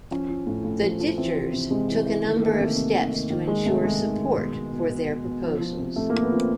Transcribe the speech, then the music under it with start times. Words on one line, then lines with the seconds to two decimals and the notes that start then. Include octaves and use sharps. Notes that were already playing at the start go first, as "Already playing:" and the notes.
The ditchers took a number of steps to ensure support for their proposals.
0.11 F3 C#4
0.28 F3
0.46 A2
0.64 A2
0.82 F3
1.00 F3
1.17 E3 C4
1.35 E3
1.53 C3
1.70 C3 G#3
1.88 E3
2.06 E3
2.24 D#3 A3
2.36 A#3
2.42 D#3
2.48 A3
2.59 C3
2.77 C3
2.95 D#3
3.12 D#3
3.30 D#3 A#3
3.48 D#3 G#3
3.65 C3 A3
3.83 C3 G#3
4.01 D#3
4.19 D#3
4.36 B2
4.54 B2
4.72 B2
4.90 B2
5.07 B2
5.25 B2
5.43 F3
5.60 F3
5.78 C3
5.96 C3 A3
6.10 A#3
6.14 F3
6.23 B3
6.32 F3 C4